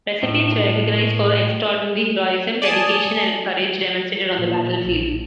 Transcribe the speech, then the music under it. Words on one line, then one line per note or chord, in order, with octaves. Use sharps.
Recipients were recognised for extraordinary heroism, dedication, and courage demonstrated on the battlefield.
A2
D5 G#5 A5 D#6
A#2
A#1